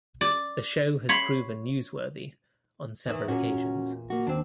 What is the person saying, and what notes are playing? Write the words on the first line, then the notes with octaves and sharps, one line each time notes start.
The show has proven newsworthy on several occasions.
D5
C#5 B5 C6
E2 D#3 E3
E2 A#2 C#4 F#4
A#3 F#4
D#2 C4 D4